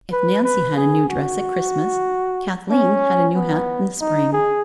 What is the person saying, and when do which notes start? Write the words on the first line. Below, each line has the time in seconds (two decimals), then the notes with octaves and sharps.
If Nancy had a new dress at Christmas, Kathleen had a new hat in the spring.
0.12 B4
0.44 B4
0.77 G#4
1.09 F#4
2.70 C#4
3.35 B3
4.01 D#4
4.33 G#4